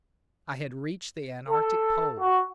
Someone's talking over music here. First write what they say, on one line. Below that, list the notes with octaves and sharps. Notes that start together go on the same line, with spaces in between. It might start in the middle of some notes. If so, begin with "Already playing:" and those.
I had reached the antarctic pole.
A4
F#4